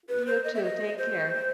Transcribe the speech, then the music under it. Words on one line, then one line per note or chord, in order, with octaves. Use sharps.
You too. Take care.
B4
C5
D#5
E5
D#5
C5